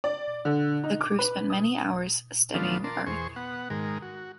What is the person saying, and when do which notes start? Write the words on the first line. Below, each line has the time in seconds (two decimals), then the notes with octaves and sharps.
The crew spent many hours studying Earth.
0.04 D5
0.45 D3
0.84 D#4
1.01 D6
1.19 B4
1.50 D#6
2.54 D#3 F3 A3 B3 D4 F4
2.84 A#4 D5 A5 C6
3.06 E2 G#4 C5 C#6
3.36 B3 F#5
3.70 G#2 D#3 G#3 A#4
4.02 F#4